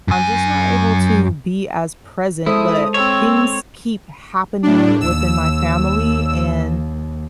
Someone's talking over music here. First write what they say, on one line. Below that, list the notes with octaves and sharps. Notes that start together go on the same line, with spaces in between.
I'm just not able to be as present, but things keep happening within my family, and
F#2 G#5
G#3 E4 A4 C5 D#6
C4 C#5 E6
A2 D4
D#2 E6